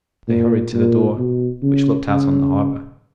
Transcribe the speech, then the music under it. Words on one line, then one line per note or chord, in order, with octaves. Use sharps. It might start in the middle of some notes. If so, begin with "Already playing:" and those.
They hurried to the door, which looked out on the harbour.
A#2
A#2
B2
C#3
C#3